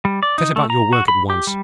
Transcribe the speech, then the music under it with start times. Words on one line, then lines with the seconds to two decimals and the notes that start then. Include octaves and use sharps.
'Set about your work at once.
0.05 G3
0.23 D5
0.38 D#4
0.56 A3
0.70 A#5
0.93 F#4
1.08 B5
1.30 G4
1.47 G3